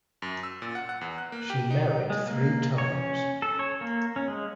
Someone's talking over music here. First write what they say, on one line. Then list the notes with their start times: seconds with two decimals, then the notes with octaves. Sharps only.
She married three times.
0.22 F#2
0.43 E6
0.62 A#2
0.75 F#5
0.89 F#5
1.01 E2
1.18 F#6
1.32 A#3
1.50 G4
1.70 D#4
2.10 G#3
2.26 A#3
2.78 C#5
2.92 C#4
3.42 A4
3.59 C#5
3.81 A#3
4.16 C#4
4.28 G#3